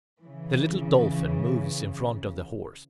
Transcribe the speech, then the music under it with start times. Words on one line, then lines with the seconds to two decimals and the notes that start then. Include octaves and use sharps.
The little Dolphin moves in front of the Horse.
0.21 C#3 E3